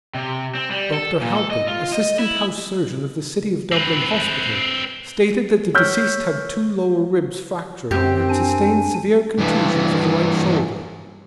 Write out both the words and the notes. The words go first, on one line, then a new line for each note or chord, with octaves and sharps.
Dr. Halpin, assistant house surgeon of the City of Dublin Hospital, stated that the deceased had two lower ribs fractured and had sustained severe contusions of the right shoulder.
C3
C4
G3
A4
A#2
A4
D#5
F4
D#5
E4
C4 B4
C#5 C#6 E6 F6 G6 B6
F#2 C4 G4
D4 G#5
G2 E3